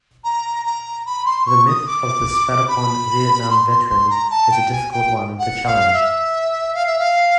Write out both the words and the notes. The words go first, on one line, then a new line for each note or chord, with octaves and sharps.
The myth of the spat-upon Vietnam veteran is a difficult one to challenge.
A#5
A#5
B5
C6
C#6
D#6
D6
B5
C6
C6
C6
A#5
A5
G5
G#5
G5
F#5
F5
E5
F5
E5
F5